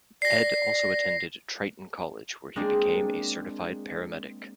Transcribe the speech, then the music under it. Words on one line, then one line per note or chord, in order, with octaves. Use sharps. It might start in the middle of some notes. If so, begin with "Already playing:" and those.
Ed also attended Triton College where he became a certified paramedic.
D5 A#6 C7
G#3 A#3 C4 D4